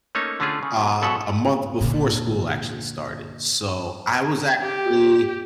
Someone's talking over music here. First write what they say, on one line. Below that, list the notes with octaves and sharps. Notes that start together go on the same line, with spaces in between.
uh, a month before school actually started, so I was actually,
A3 A#3 C#4 D#4 C#5
D3 A3 C#4 F4 G#4
C#3
F#2 B2
F#2 B2 F#3 A4 E5 F#5
A#2 D3
G4